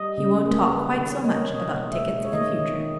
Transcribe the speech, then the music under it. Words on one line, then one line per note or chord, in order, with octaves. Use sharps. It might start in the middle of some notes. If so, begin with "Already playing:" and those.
He won't talk quite so much about tickets in future.
Already playing: G3 D#5
C#3
A#3
G3 B4
D#3
C#5
A#3 D#5
C#5
B2 D#5
G#3
E5
G#3
C#5
D#3 D#5
D#3